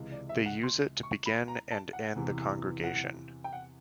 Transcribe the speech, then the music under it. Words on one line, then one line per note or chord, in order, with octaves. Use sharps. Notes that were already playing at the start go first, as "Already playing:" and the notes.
They use it to begin and end the congregation.
Already playing: C#2 C3 E3 G#3
D5
E5
F#5
C6
C#6
B5
A#5
A5
F#5
E2 C3 E3
F#5
G5
F#5